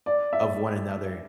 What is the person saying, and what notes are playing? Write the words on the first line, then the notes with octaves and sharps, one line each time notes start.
of one another.
D5
E5